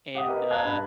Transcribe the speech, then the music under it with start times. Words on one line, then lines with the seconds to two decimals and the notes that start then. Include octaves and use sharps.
and, uh,
0.15 G4 F#5 D#6
0.28 A#4 B4 D#5
0.50 C5 F5 A5 A#5 F#6 G#6
0.65 G2 B5